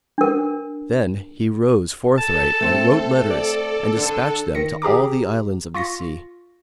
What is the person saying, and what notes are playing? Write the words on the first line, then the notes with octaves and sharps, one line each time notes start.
Then he rose forthright and wrote letters and despatched them to all the islands of the sea.
D4 A#4
A4 A5
A3 C4
D5
D3 D4
D#3 A#6 C#7
G4 G#4 A#5 D6
F4 C#6 A#6